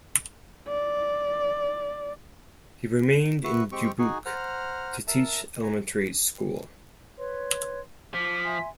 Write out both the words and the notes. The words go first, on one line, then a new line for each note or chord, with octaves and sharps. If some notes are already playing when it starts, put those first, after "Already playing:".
He remained in Dubuque to teach elementary school.
D5
F#4 B4 E5 C#6 F#6
G#3 C4 G4 G5 C#6
D#4 F#4 G#4 G#5
C5 F#5 A#5 F6
A#4 E5 A5
G#5 A#5
B4 C#5 C6
F3 D6 B6
E5 G#5 C6